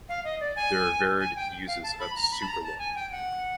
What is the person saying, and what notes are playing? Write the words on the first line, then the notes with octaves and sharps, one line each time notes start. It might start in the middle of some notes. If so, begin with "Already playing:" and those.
There are varied uses of Superloy.
F5
D#5
D5
G#5
G#5
G5
F5
A5
B5
A#5
B5
A5
A#5
A5
G#5
G5
F#5